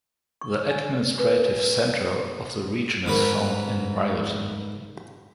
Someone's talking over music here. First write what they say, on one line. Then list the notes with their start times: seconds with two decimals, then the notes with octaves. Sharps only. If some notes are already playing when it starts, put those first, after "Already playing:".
The administrative centre of the region is found in Wiarton.
0.41 C#6
0.70 G#5
1.19 B4
3.06 G#2 A#4 B4